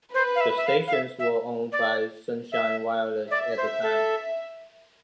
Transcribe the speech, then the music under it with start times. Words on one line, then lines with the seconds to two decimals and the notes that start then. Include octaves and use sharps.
The stations were owned by Sunshine Wireless at the time.
0.14 B4 C5
0.35 F5
0.40 E5
0.57 E5
0.67 F5
0.88 F5
0.93 E5
1.19 E5
1.72 D5
2.52 E5
3.30 D5 E5
3.57 C5
3.83 A4